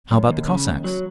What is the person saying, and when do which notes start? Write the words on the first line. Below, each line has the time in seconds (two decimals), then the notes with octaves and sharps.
"How about the Cossacks?"
0.11 F#2
0.29 D#2
0.48 C#3
0.65 D#2
0.84 F#3